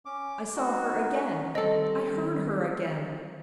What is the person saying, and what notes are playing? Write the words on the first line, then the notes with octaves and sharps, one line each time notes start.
I saw her again; I heard her again.
C#4 D6
D#4 F#4
D#3 G3 C4 A4 D#5